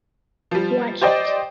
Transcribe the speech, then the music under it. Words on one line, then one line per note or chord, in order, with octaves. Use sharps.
Watch it.
F3 G3
G4 C5 D5 D#5 G5